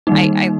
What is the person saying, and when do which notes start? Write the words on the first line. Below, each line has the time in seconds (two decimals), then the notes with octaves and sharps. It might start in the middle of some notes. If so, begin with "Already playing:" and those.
I I
0.07 D#3 G3 A#3 D#4